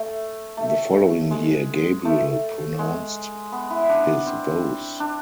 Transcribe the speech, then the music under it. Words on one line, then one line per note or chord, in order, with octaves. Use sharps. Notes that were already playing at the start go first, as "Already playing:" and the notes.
The following year Gabriel pronounced his vows.
Already playing: A3
A3
G#3
A3
G#3
B3
E4
D4
C4
D4